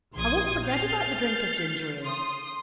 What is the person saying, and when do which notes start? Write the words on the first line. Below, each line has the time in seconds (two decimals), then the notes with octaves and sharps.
"I won't forget about the drink of ginger-ale."
0.15 A#1 C6 D#6 G#6
0.64 F6 G6 A6 C7
2.04 C6 D#6